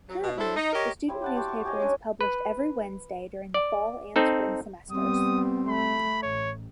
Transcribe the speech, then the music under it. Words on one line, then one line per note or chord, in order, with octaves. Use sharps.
Currently, the student newspaper is published every Wednesday during the fall and spring semesters.
F#3
B2
D4 E4 A4 C5
D#4
G4 A#4 C#5 D#5
G3 C4 E4
G4 F#5 A5
F#4 G4 C5
C#6
G4 G#4 C#5 D#5
G#3 C#4 D4 G#5
B4
D5
C4 D#4 A4
G3 B3 C4 D#6
A3 B5
A1 C#5